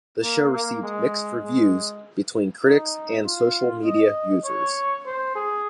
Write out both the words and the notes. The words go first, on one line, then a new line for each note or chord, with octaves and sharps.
The show received mixed reviews between critics and social media users.
A#3
A#3
G#3
G#3
D#4
F4
D#5
C#5
C5
G#4